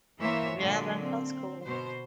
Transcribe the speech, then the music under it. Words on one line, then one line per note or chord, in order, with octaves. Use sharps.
Yeah, that sounds cool.
E3 A#3 C5 C#5 E5
A#2 D3 F#3 G#3
C4
B2 C5